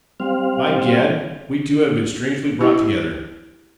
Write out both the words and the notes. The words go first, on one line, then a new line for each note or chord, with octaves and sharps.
"By Gad! we two have been strangely brought together!"
G3 C4 F5
E4 G4